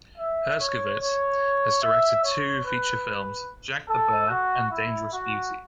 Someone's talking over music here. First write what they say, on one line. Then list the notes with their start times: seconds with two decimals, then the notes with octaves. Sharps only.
Herskovitz has directed two feature films, "Jack the Bear" and "Dangerous Beauty".
0.17 E5
0.58 C#5
1.00 C#5
1.82 E5
2.23 C#5
2.64 B4
3.88 A4
4.29 F#4
4.70 E4
5.11 F#4